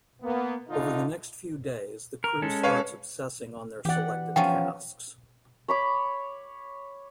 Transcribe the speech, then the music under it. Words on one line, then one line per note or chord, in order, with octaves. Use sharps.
Over the next few days the crew starts obsessing on their selected tasks.
A#3 B3
A2 D3 D#4 F4 D#5
A#4
G#3 C#4 A4
B4 C#5 F5
E3 G4 D5 F#5
F3 B3 C#4 G5
C#5 B5 D6